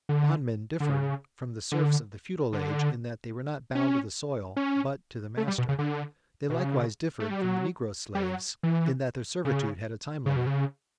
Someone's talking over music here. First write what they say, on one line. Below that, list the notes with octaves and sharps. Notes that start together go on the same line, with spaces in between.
Bondmen differed from the serfs of the feudal age in that they were not bound to the soil but to the master. They likewise differed from the negro slaves in that their servitude had a time limit.
D3
D3
C#3
D3
D3
C#4
C#4
A3
G3
B2
C#3
D3
B2
C#3
A3
G3
F#3
G3
F#3
E3
C#3
C#3
B2
C#3